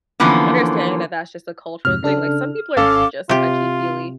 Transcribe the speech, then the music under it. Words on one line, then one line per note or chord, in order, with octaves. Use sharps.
understanding that that's just a cultural thing like, some people are just touchy-feely,
D3 E3 F3 A#3 B3 C#4
F2 G#2 C3 F6
C#3 D4 A4
G#1 C#4 A4 F5 D6
C3 F4 G4